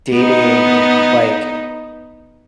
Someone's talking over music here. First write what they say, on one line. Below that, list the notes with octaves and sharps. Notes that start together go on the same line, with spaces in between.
dating, like
B3 D#4